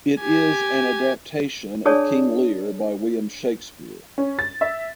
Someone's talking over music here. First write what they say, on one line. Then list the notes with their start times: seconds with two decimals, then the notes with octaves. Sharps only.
It is an adaptation of "King Lear" by William Shakespeare.
0.21 G4 G#5
1.85 D4 G#4 C#5 D5 A5 D#6
4.18 C#4
4.39 A6
4.61 E5